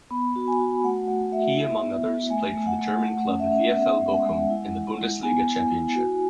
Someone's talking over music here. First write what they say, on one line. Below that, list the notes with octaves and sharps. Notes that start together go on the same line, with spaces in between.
He among others played for the German club VfL Bochum in the Bundesliga championship.
B3 B5
F#4
G#5
F#4
A3 F#5
A3 F#5
A3 E5
E4
B3
B3
A3 G#5
A3
F#5
A3
A3 F#5
C#4
E5
C#4
F#5
B3 E5
G#3
F#5
G#3
E4
E4
E4
B3 G#5
E4
E4
F#4